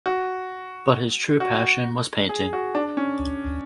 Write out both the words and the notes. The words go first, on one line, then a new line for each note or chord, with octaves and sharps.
But his true passion was painting.
F#4
F#4
G#4
F#4
D4
C#4